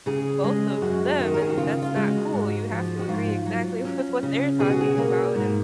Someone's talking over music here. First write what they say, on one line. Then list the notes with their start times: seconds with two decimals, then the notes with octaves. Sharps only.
both of them, and that's not cool. You have to agree exactly with what they're talking about in
0.06 C#3 G#4
0.44 G#3
0.81 F#2 F#4
1.20 D#3
1.34 A#4
1.42 G#4
1.49 F#4
1.57 C#3 F4
1.82 F4
1.96 G#3
2.07 F#4
2.33 G#2
2.71 F3
2.99 F#4
3.08 G#2 F4
3.46 F#3
3.85 C#4
4.23 C#3
4.60 B2 G#4
4.70 F#4
4.81 G#4
4.98 A#3
5.36 G#2